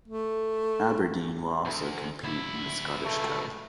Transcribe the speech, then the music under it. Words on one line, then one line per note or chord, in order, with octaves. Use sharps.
Aberdeen will also compete in the Scottish Cup.
A3
D2
D2 E4
C#2 B2 A3